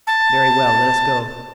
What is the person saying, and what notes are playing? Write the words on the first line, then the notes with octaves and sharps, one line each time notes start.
"Very well; let us go."
A5